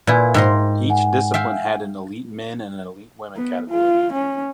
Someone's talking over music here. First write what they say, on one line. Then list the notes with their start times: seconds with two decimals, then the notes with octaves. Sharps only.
Each discipline had an Elite Men and an Elite Women category.
0.07 A#2 E4 B4 G#5
0.34 G#2 G5 A#5 C6
0.90 F#5 G#5
1.34 E5 F5 G5
3.36 B3
3.70 F4
4.13 C#4